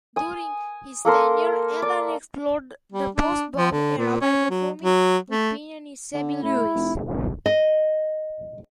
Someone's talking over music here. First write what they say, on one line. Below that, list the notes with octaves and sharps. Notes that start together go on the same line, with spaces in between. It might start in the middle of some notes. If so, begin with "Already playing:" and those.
During his tenure, Alan explored the post-bop era by performing with pianist Sabby Lewis.
G#5 D#6
A#3 A4 A#4 C6
D5
G3
D4
F3
D3
A#2
C#4
F#3
F#3
A3
D3
A2 E4
F1
D#5